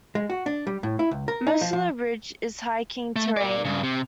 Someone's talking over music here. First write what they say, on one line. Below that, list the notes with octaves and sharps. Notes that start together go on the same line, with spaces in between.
Most of the ridge is hiking terrain.
G#3
F#4
D4
G3
A2
E4
C#2
A#4
D#4
F3
F3
A3
A#4 D5
G2 C#3
C3